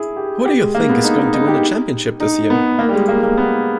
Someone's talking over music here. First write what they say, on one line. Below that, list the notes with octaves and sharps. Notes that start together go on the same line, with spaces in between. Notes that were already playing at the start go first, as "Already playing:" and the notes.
Who do you think's going to win the championship this year?
Already playing: E4 G#4
G4
G4
G#3
A#3
B3
D#4
D#4
D#4
G4
D#4
B3
A#3
G3
G#3
A#3
A#3
B3